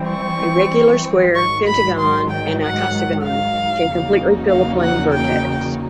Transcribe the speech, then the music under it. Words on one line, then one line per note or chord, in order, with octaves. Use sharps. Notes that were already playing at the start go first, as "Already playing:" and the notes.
A regular square, pentagon, and icosagon can completely fill a plane vertex.
Already playing: E3 G3 C4
C#6
G#2 D#3 F#3 C#6
B5
C6
G5
F#5
F5
E2 C#3 F#3 A#3 D#4
F5
F#5
G5